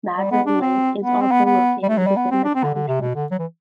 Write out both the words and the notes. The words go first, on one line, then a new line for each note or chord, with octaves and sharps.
Madron Lake is also located within the township.
G3
B3
D4
C4
B3
C4
B3
B3
G3
A3
F#3
G3
B3
C4
D4
C4
D3
D3
C3
B2
D3
F#3
E3